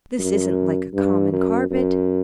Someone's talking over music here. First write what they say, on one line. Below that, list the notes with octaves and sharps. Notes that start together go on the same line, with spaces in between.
This isn't like a common carpet.
F#2
G2
F#2
F#2